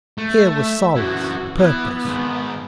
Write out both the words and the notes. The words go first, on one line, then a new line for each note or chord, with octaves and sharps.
Here was solace, purpose.
A3
E5
F#2 E3 F#4
E3 B3
G#2 D#3